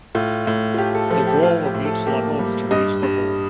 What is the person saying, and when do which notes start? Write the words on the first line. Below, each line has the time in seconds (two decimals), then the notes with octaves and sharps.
The goal of each level is to reach the hole.
0.15 A2 F4
0.47 A2
0.74 F4
0.78 A3 G4
0.95 A4
1.10 F3 A4
1.27 G4
1.43 A2 F4
1.64 G4
1.74 A2
1.85 A4
2.06 A#3 G4
2.39 G3
2.71 G2 D#5
3.03 G2